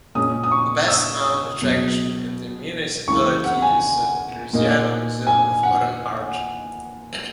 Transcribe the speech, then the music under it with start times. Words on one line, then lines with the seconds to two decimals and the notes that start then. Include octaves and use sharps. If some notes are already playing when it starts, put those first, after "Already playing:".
The best known attraction in the municipality is the Louisiana Museum of Modern Art.
0.15 A#2 G#3 C#4 D#6
0.44 D#6
0.52 C#6
0.88 E6
1.25 D#6
1.61 C#2 B2 F#3
3.07 C#2 C#3 E3 A#3 E4 C#6
3.44 F#5
3.62 G#5
4.53 A#2 A#3 D#4
5.27 G#5
5.63 F#5